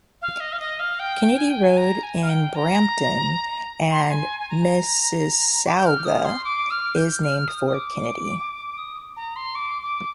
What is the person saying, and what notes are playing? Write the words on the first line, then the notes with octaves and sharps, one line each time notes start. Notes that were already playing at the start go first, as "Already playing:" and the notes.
Kennedy Road in Brampton and Mississauga is named for Kennedy.
F5
D#5
F5
D#5
F5
G5
G#5
G5
G#5
A#5
G#5
F5
G5
A#5
C6
A#5
G#5
G#5
A#5
D6
G6
F6
D#6
C6
D6
F6
G6
F6
D#6
D#6
D6
D#6
A#5
C6
D6
D6